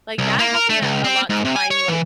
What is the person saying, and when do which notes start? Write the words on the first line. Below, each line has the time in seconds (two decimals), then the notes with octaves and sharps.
like, that helped me out a lot to find, like,
0.19 C2
0.39 A#3
0.55 A#4
0.69 A3
0.82 C#2
1.04 C4
1.30 G#2
1.45 C3
1.56 G#5
1.71 C#5
1.88 E3